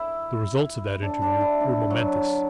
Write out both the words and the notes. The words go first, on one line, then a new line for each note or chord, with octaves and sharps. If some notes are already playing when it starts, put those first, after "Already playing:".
The results of that interview were momentous.
Already playing: E4
D4
D4
E4
D4
F#3